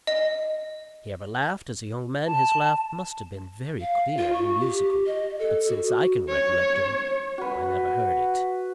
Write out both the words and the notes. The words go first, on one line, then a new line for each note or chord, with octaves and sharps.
If he ever laughed, as a young man, his laugh must have been very clear and musical; but since I can recollect him, I never heard it.
D#5
A5
F5
F4
C#6
G4
D#5
A4
F#4
C#5
F#4 B4